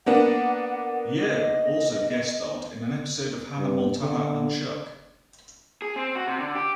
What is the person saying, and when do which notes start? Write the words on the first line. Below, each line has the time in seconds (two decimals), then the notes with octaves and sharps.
Yeo also guest starred in an episode of "Hannah Montana and Chuck".
0.06 A#3 B3 D4 F#5
1.26 D#5
3.58 G2
4.03 D3
5.82 G#4
5.96 C4
6.15 F#4
6.27 C3
6.40 D3
6.55 G4